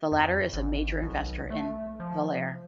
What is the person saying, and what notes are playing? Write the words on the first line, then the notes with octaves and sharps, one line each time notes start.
The latter is a major investor in Valuair.
F2
G#1
B1
A3
F3